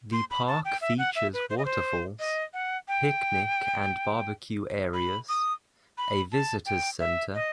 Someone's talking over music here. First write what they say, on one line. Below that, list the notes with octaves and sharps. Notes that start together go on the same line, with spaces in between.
The park features waterfalls, picnic and barbecue areas, a visitors centre.
C6
B5
A5
G5
E5
F#5
E5
B4
C5
D#5
C5
D#5
F#5
G5
B5
D#6
B5
A5
G5
E5
D#5